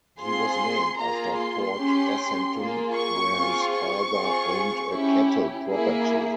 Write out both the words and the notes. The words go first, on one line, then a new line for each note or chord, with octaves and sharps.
He was named after Port Essington, where his father owned a cattle property.
C4 F4 G#4 C6
A#3 F4 G#4 A#5
C6
C#4 G4
A#3 F4 G#4
C#6
C4 F4 G#4
C#6
C4 F4 G#4
C#4 E4 G4
A#3 E4 G#4